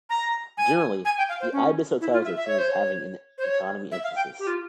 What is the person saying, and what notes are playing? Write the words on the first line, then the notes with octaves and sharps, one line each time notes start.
Generally, the Ibis hotels are seen as having an economy emphasis.
A#5
G#5
G#5
G5
F5
C5
C#4
E4
F4
E5
E5
C#5
C5
C#5
C5
C#5
E5
F5
G5
G4
F4